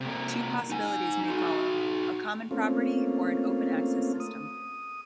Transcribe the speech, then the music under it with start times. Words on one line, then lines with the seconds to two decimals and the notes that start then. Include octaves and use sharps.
Two possibilities may follow: a common property or an open access system.
0.01 C3 A#3
0.70 D#4 G#5
1.24 D#4 F#4
2.51 A3 A#3 C4 C#4 F4
4.20 D#6